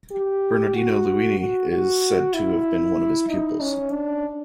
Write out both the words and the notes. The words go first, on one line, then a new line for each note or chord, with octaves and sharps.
Bernardino Luini is said to have been one of his pupils.
G4
F#4
F#4
F#4
E4
D#4
C#4
D4